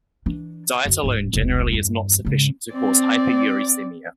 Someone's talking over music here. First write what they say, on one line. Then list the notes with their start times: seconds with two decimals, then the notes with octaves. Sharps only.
Diet alone generally is not sufficient to cause hyperuricemia.
0.26 E3 D4
0.85 F#2 D3
1.03 D1 G#2
1.33 E1 C2
1.72 E2 G2
2.25 G#2 C#3
2.74 C4 D5